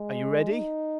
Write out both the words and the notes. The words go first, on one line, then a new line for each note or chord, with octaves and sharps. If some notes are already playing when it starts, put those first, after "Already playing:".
"Are you ready?"
Already playing: G#3
D#4